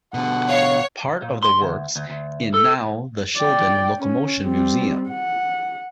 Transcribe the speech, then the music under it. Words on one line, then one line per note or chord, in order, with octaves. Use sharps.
Part of the works in now the Shildon Locomotion Museum.
B2 D3 F#5
C#5 F5
A#2
C6
D2
D2
D2
A4
D5 G5
C#4
G3 C4
F#5